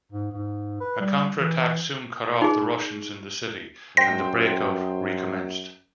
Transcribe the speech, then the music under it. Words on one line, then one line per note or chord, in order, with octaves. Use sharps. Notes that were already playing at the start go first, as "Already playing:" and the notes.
A counterattack soon cut off the Russians in the city, and the breakout recommenced.
G#2
G#2
B4
G3
E3
D#4 G#4
F#2 C5 G5 A#6